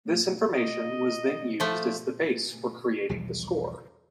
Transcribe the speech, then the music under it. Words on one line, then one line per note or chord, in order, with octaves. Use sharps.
This information was then used as the base for creating the score.
D#5
F3 A3
B1 E2 F3 G3